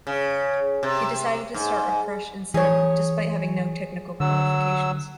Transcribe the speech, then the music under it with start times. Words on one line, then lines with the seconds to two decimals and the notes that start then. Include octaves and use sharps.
He decided to start afresh in cinema, despite having no technical qualifications.
0.07 C#3
0.83 C3
1.54 G#2
2.54 E3 G#4 C#5
4.20 D3 F#3 E6